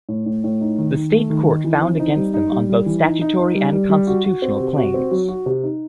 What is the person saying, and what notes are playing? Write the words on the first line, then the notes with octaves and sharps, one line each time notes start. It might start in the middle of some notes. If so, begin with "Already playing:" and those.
The state court found against them on both statutory and constitutional claims.
A2
A2
A2
D#4
D#3
D#3
A3
D#3
D#4
E3
C4
D#4
G3
D#4
G3
G3
E3
D#4
D#4
D#4
G3
G3
G3
F#4
F#4
C4
C3
F#4
C4
F#3
F#4
C3
D#4